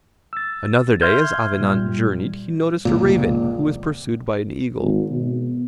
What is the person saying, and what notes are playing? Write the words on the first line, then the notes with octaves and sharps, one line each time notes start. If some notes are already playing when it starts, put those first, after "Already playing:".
Another day as Avenant journeyed he noticed a raven who was pursued by an eagle.
E6 A6
E5 C6 F6 G6 G#6
A#2 G3
F1 C#2 A#2
G#1
B2